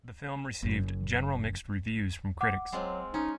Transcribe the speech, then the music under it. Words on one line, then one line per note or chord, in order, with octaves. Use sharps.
The film received general mixed reviews from critics.
F#1 F#2
F#5 D6
F#3 G#3 C4 F4
C#4 D#4